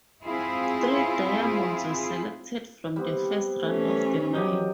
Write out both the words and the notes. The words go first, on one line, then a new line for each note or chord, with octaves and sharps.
Three diamonds were selected from the first run of the mine.
C4 E4 F4 G#4
G3 B3 C4
E3 A3 C#4
F#3 G4 A#4 D#5